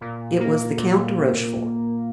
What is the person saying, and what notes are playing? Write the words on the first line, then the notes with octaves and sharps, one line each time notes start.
It was the Count de Rochefort.
A#2
A#3
A#2